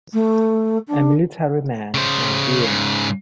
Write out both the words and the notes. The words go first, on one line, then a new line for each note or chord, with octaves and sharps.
A military man, my dear.
A3
D4
C#3 C5
G#2 C#3